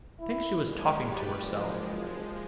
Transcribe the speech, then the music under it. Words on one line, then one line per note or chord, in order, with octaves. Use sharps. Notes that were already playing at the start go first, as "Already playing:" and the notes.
I think she was talking to herself.
E4
F#1 G#3 C#4
G4 B4 D5
F3 G#3